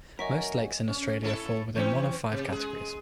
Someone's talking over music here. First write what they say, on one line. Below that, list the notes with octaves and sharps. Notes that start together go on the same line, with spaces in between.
Most lakes in Australia fall within one of five categories.
F#2 A#4 D#5 G#5 C#6 B6
C#4
C#4 E4 A4
E3 C4 C#4
C3
G#3 G#4